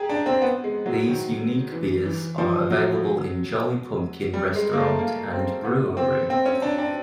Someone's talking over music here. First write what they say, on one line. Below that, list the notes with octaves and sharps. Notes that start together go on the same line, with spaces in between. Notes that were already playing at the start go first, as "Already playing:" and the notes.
These unique beers are available in Jolly Pumpkin Restaurant and Brewery.
Already playing: G4 G#4 A#4
D4
C4
B3
G#3
F#3
D#3
E3
E3
F3
F#3
G3
G#3
A#3
A3
A#3
C4
B3
C4
C4
C#4
D4
D4